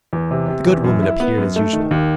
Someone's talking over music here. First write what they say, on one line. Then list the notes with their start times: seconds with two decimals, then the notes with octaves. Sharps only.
The good woman appeared as usual.
0.13 E2
0.31 C3
0.48 C3
0.66 E2
0.84 F#2
1.02 E4
1.20 B3
1.38 F#2
1.56 A3
1.73 D#3
1.91 D#2